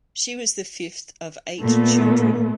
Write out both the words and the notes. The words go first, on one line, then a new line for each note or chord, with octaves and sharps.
She was the fifth of eight children.
A#2 A3 B3